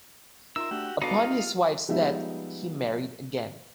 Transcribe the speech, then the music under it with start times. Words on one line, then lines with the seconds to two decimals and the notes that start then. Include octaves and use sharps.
Upon his wife's death he married again.
0.56 D#4 F4 A#4 E5 C6 E6
0.71 A3 D4 F#4 G4
1.02 B3 D4 D#4 F#4 A4 F5
1.24 B3 F4 G4
1.89 F3 G3 G#3 B3 D#4 E5